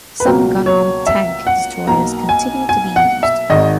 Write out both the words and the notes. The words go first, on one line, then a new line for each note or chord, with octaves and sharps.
Some gun-armed tank destroyers continue to be used.
B4
C#2 B2 F#3 A#3 A#4
C#5
E5
F#5
B1 B2 A#3 A#5
G#5
G#5
F#5
E5
G#1 G#2 D#3 D#5